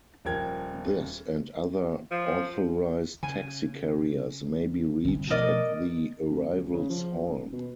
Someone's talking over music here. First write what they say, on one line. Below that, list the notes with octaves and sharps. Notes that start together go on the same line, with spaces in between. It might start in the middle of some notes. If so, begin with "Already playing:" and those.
This and other authorized taxi carriers may be reached at the arrivals hall.
D#1 F3 A#4 G5 G#6
F3
C#3 G#5
G1 C2
B2 F3 A3 A#4 D5 D#5
F2
C#2
C#3
F3
D#1
B2